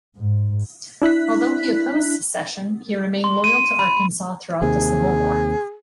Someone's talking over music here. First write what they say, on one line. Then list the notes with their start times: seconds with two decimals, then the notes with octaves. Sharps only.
Although he opposed secession, he remained loyal to Arkansas throughout the Civil War.
0.17 G#2
1.02 D4 E4 F#6 B6
3.24 C6
3.44 D#7
3.79 B5
4.62 D#2 C3 G#4